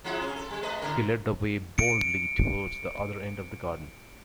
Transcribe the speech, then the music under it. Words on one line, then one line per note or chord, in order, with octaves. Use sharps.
He led the way boldly towards the other end of the garden.
F3 G#3 E4
C#3 C#4
A4
G3
G#3 B4 D#5
A2 D3 A#4
C#7 D7